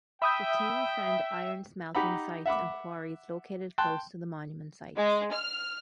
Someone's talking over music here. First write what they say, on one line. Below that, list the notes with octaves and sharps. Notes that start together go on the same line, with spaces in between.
The team found iron smelting sites and quarries located close to the monument sites.
E5 G5 B5 D#6 G6
D#4 G4 F#5 A#5 B5
E5 F#5 B5 D6
G5 A5 C6 F#6
G#3
F6